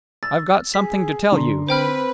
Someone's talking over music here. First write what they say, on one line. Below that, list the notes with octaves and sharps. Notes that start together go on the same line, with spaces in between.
"I've got something to tell you."
E6 A6
G#4 B6
D3 A#5 C6
C4 B4 C5 G5 F6